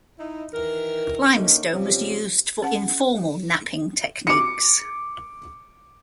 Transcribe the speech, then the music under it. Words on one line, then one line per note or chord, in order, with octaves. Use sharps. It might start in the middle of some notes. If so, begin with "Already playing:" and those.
Limestone was used for informal knapping techniques.
D#4 E4
D#3 E3 A#4
D3 A3 A#3 C#4 D#4
C3 F3 G3 C#4
C#4 G#4 F#5 A5
D6 C#7